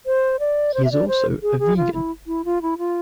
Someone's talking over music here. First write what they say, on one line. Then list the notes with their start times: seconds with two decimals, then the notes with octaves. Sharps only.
He is also a vegan.
0.06 C5
0.40 D5
0.74 C5
0.85 E5
0.92 D5
1.08 C5
1.43 G#4
1.59 G#4
1.77 F4
1.93 E4
2.27 E4
2.45 F4
2.62 E4
2.78 F4